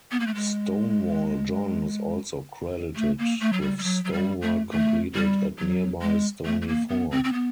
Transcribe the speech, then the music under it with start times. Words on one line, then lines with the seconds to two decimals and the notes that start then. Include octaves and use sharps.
Stonewall John is also credited with stonework completed at nearby Stony Fort.
0.11 B3
0.20 A#3
0.27 A3
0.35 G#3
2.96 A3
3.19 A#3
3.41 A3
3.53 F#3
3.61 G3
3.78 G3
3.83 F#3
4.04 F#3
4.13 G3
4.42 A3
4.71 A3
5.15 G3
5.59 F#3
6.02 G#3
6.45 A3
6.62 A3
6.68 A#3
6.89 B3
7.11 C4
7.24 C4
7.33 B3